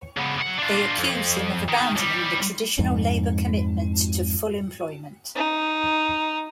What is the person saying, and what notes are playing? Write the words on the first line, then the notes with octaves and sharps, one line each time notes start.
They accuse him of abandoning the traditional Labour commitment to full employment.
C#3 B3
F#3 F#5
D4 F4
F2
D#3
B1 G3
F2 G#2
D#4